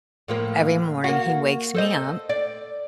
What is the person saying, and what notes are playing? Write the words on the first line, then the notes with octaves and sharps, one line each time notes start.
every morning he wakes me up.
A2 F3 A#3
A#3 F#4
A4 C5 D#5
D5